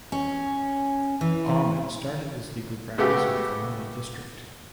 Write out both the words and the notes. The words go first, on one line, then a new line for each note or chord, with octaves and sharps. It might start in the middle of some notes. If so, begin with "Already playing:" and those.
Ahmed started his legal practice in Comilla District.
C#4
E3
C#3 A3 B3 F#4 G4 A4